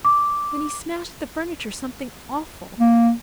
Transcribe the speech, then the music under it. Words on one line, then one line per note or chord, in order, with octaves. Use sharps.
Then he smashed the furniture something awful.
D6
A#3